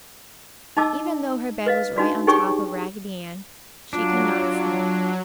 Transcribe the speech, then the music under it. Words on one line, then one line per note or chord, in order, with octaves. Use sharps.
Even though her bed was right on top of Raggedy Ann, she could not sleep.
D#4 D#5 A5 D6 E6
B4 D#5 F5
D4 D#4 F#4 D5
D#4 G4 G#4 C#5 G5 C#6
F#3 D4 F4